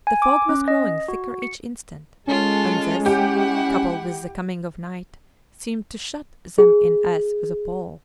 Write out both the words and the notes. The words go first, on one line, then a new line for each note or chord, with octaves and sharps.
The fog was growing thicker each instant, and this, coupled with the coming of night, seemed to shut them in as with a pall.
G#5
D6
C#4
D#5
F#4
C#7
G#3 C#4 F4 A4
E4 G4 F#5
G#4